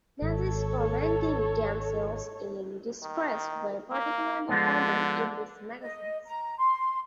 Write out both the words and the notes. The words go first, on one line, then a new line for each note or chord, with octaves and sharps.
Nazis tormenting damsels in distress were particularly common in these magazines.
G#1 A4 C#5
D#3
A#3
D3 F3 G#3 B3
D#5
A#5
C6